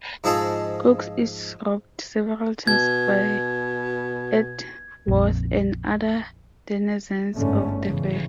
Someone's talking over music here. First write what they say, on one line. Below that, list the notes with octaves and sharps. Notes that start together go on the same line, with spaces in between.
Cokes is robbed several times by Edgeworth and other denizens of the fair.
G#2 F3 G#4 A4 D#5
B2 G#6
A#1 F2
G1 G#2 D3 A3 C#4
E2 C#3 E3